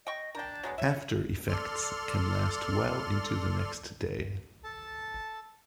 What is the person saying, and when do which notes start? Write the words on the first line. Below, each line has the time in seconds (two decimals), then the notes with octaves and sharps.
After effects can last well into the next day.
0.07 D#5 G5 C#6
0.35 D4 A#4 G5 A5 G6
0.63 F#3 G#3 B3
0.78 C#5 E5
1.48 A4 D5 C6 F6
4.64 A4 A5